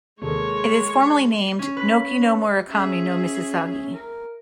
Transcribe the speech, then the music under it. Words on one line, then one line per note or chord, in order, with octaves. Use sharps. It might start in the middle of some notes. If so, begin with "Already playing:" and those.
It is formally named "Nochi no Mukarami no misasagi".
D#2 C3 G#3 A#3 G#4 A4 C#5
C#4
B4
C#4 G#4 E5
A#4